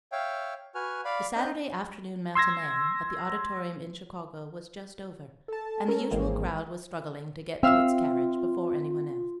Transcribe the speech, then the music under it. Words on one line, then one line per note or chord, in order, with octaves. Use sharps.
THE Saturday afternoon matinee at the Auditorium in Chicago was just over and the usual crowd was struggling to get to its carriage before any one else.
C#5 E5 F5 G5
F#4 B4 G#5 F6
D5 F5 B5
C4 D4 D#5 G6
C6 E6 G#6 A#6
A4 A5
C#4 A4 A#4
G#1 E3 G#3 A#3 C4
C4 F4 E5 F5 E6